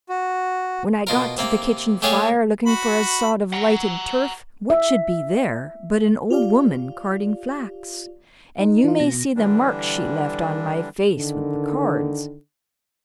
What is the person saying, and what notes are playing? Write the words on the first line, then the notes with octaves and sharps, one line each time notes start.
When I got to the kitchen fire, looking for a sod of lighted turf, what should be there but an old woman carding flax, and you may see the marks she left on my face with the cards.
F#4
B2 F4 A#4
C3 A#3
A3 G4 G#4 C#5 F5
F#4 B5
F#5 A#5
E5
F4 G4 D5 F5
D#4
E3 F4
B2 A#6
D3 E3 G3 D4
D3 D#3